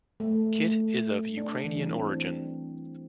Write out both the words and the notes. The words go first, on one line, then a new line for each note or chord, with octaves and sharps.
Kit is of Ukrainian origin.
A3
A3
D4
E3
G3
C4
D4